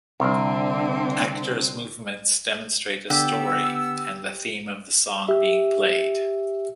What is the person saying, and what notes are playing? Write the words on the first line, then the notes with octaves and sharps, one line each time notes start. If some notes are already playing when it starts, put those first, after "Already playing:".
Actors movements demonstrate a story and the theme of the song being played.
C2 D3 C4
D3 B3 G4 E6
G4 E5